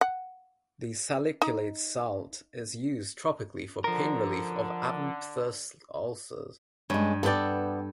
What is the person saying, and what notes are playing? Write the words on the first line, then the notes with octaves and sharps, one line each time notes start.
The salicylate salt is used topically for pain relief of aphthous ulcers.
F#5
D#4
D3 F3 A#4
G2 G#3 C#4
B3 A4 B4 D5 G5